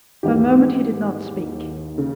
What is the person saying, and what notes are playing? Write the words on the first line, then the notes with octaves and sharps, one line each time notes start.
For a moment he did not speak.
D#2 G#2 E3 G4
C#3